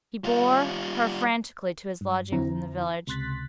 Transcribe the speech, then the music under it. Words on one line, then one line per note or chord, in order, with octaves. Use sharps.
He bore her frantically to his lodgings in the village.
G3 F4
G2
F2 D3 C4 E4 A#5
C#2 C3 C6 F#6 A6 B6